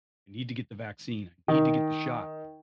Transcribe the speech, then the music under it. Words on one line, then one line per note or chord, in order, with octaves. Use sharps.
I need to get the vaccine, I need to get the shot,
D#3